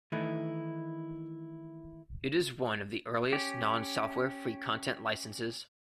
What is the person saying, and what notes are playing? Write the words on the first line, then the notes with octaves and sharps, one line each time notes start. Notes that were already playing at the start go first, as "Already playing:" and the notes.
It is one of the earliest non-software free content licenses.
D#3 E3 A3 D#4 E4
C#4 G4